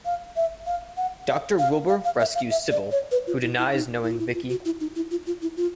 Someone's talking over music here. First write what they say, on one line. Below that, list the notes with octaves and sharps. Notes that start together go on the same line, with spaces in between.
Doctor Wilbur rescues Sybil, who denies knowing Vickie.
F5
E5
F5
F#5
F5
F5
F5
F5
E5
F5
E5
D5
C#5
B4
F4
E4
E4
D#4
E4
F4
E4
F4
F#4
E4
D#4
E4
F4
F4
E4
F4